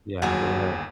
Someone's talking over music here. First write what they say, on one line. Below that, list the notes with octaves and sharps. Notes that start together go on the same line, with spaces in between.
Yeah. Go ahead.
G1 D#2 F#3 G#4 A#4 F#5